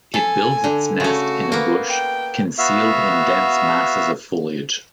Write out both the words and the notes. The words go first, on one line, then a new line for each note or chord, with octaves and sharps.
It builds its nest in a bush, concealed in dense masses of foliage.
A4 G#5
D3
C#3 A3 F#4
A#3 B3
G5
B3 F#4 E5 F5